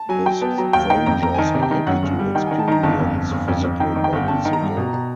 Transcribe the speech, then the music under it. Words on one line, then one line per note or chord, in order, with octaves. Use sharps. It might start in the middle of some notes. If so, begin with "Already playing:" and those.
The strangers are happy to experience physical bodies again.
Already playing: A5
F#3 G#5
F#3 G5
B3 A5
F#3 A#5
D#2 G5
D#3 G5
F2 A#5
F2 A#5
G#5
D#3 A5
C3
G5
D#3
F#2 F#5
G1
G3
D#3 G5
D#3 G#5
A5
D#3 A#5
G1 A5
F2
G1
G1
F2
F2
D#3 G5
D#3
G5
G1 F#5
G1 A5
D#3
A#5
G2
B2
B2